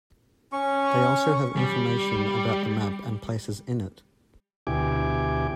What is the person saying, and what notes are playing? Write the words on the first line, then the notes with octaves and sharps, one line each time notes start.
They also have information about the map and places in it.
C#4 C#6
G3
D2 B2 E4 G4 G#5 D6